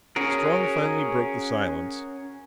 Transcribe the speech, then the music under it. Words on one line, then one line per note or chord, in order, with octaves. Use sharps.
Strong finally broke the silence.
C#4 F#4 G#4 A#4